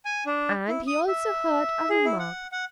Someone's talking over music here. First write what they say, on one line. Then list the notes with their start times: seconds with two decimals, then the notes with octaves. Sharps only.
And he also heard a remark.
0.05 G#5
0.26 D4
0.69 E4
0.87 D#6
1.08 E5
1.90 G#4
2.05 E4
2.19 F#5
2.52 F#5